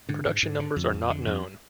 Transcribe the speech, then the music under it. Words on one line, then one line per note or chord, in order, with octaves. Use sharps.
Production numbers are not known.
G#2 D3
G#2
G#2
D3
F2
F2
D3
F2